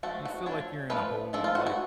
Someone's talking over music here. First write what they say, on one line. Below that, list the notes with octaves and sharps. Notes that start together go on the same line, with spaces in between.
You feel like you're in a whole, like,
F3 A3 D4 F#4
F#4
F3 A3 D4 C#5
F3 A3 D4 B4
F3 A3 D4 A4
F4
F#4
F#4